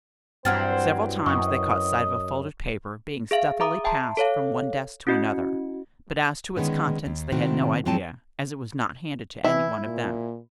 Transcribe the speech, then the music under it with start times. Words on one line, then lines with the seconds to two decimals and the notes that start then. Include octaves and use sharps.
Several times they caught sight of a folded paper being stealthily passed from one desk to another, but as to its contents they had no idea, as it was not handed to any one of them.
0.45 G2 E3 F#3 C4 C5 F#5 F6 A6
1.26 F#2 D#5 C#6
3.31 G#4 E5 F5
3.60 G#4 E5 A#5 D6 D#6
3.84 E5 G5 A5 A#5 C6
4.17 A4 C#5 F5
5.07 C#4 E4 F#4 D#5 C#7
6.57 D3 D#3 G#3 B3 C#4
7.06 D#2
7.32 A2 C3 D#3 C4 F#4
7.85 F2 F3 F#3 C4 G5 A5
9.44 E3 E4
9.84 A#2